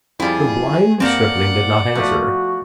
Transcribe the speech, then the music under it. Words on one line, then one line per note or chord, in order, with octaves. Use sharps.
The blind stripling did not answer.
F2 G3 E4 F4 G#4
G2 A#3 C4 D5 F#5
F3 A3 B3 D4 F#4